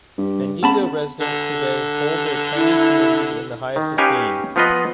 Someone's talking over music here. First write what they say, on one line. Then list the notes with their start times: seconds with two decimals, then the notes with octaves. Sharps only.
Bendigo residents today hold their Chinese Community in the highest esteem.
0.18 G2
0.63 C#3 B3 A5 B5
1.21 D3
2.55 E4
3.76 D#3
3.98 C#4 D#4 G4 B4 F5 G#5
4.56 F3 B3 F4 B4 D#5